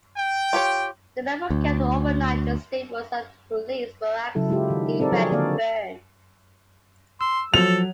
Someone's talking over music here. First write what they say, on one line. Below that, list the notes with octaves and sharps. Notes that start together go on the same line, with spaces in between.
The men were kept overnight in the stables at the police barracks in Redfern.
G5
F4 G4 C#5
D2
C#3 F#3 E4 A4
G#3 E4 F4 G4
D#3
C4 A4 A#4 D5
F3 F#3 G#4 A4 C#5
D3 A#3 A4 D5 F5
C6 E6
F3 F#3 A4 F7